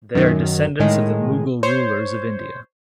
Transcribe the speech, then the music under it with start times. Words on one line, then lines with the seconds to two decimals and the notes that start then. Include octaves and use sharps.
They are descendants of the Mughal rulers of India.
0.15 F#2 D#3
0.80 A2 D#3 G#3
1.63 C5 C#5